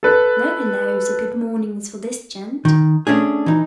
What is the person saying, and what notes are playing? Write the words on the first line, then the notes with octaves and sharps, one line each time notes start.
No hellos or good mornings for this gent!
A4 B4
D#3
A3 C#4 D4 G#4
E3 D#4